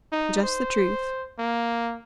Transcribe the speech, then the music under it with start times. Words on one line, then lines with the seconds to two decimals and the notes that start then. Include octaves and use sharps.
"Just the truth."
0.12 D#4
0.43 C5
1.39 A#3